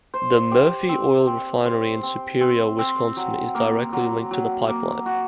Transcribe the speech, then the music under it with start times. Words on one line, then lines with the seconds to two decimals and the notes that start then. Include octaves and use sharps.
The Murphy Oil refinery in Superior, Wisconsin, is directly linked to the pipeline.
0.14 C5
0.52 G4
0.89 C4
1.27 C4
1.65 C5
2.03 C4
2.41 C4
2.79 C4
3.17 F#3
3.55 A#3
3.93 F#3
4.31 F#3
4.68 A#3
5.06 F#4